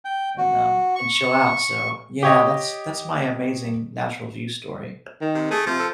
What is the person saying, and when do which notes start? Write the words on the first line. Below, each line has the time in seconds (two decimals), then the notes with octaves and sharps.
and, um, and chill out, so, yeah, that's that's my amazing natural view story.
0.05 G5
0.38 F#4
0.95 C#6
2.23 G4 C#5 D#5
5.21 D#3
5.34 C3
5.51 A3 G#4
5.66 C3 F3
5.79 A4